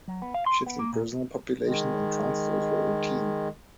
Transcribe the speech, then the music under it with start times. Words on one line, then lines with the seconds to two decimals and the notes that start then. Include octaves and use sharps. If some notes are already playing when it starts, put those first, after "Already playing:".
Shifting prisoner populations and transfers were routine.
0.08 F#3
0.22 B3
0.34 F5
0.46 C6
0.67 B3
0.79 A#3
0.93 A#2
1.63 D#3 G#3